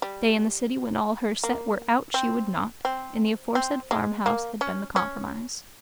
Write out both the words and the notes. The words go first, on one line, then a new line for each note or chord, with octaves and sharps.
Stay in the city when all her set were out she would not, and the aforesaid farmhouse had been the compromise.
G3
A#3
C4
C4
C4
G#3
A#3
C#4
C#4